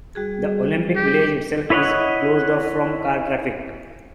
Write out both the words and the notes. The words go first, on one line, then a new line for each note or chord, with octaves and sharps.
The Olympic Village itself is closed off from car traffic.
G3 F#4 G#4
G4
E4 B4 C#5 D#5 F#5